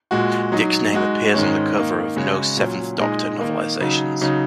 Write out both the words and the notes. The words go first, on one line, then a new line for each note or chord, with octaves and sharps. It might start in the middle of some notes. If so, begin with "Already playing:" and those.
Dicks' name appears on the cover of no Seventh Doctor novelisations.
A#2 G#3 F#4
F#3 D#4 F#4
G#3 D#4 F#4
G#2 D#3 G#3 C#4
D#3 A#3 D#4
C#3 G#3 C#4 F#4 C#5
A#2 F#3 C#4
A#2 G#3 D#4 G#4 D#5
D#3 A#3 D#4 A#4
C#3 F#3 D#4
C#3 F#3 D#4